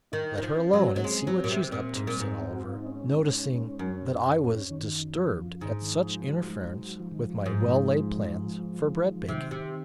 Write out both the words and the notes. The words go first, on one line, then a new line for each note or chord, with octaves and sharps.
"Let her alone, and see what she's up to," said Oliver, noticing that I was disturbed at such interference with my well-laid plans for bread-baking.
D#3 D#4
D#3
F3
C#4
F#3
F#3 A#3
G#3 C4
F#3
A#2
C3
A#2
G#2
A#2
G#2
F#4
F4
D#4
C#4
F#2
D#3
F3
G#2 D#3
D#3
F3
F#3
F3
F#3
F3
D#3
F3
G#2
C3 D#3
C3